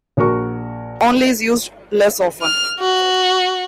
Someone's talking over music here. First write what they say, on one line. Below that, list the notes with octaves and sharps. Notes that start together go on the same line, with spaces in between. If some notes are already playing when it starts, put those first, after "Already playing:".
Only is used less often.
A#1 F#4 A#4 C#6
F6
F#4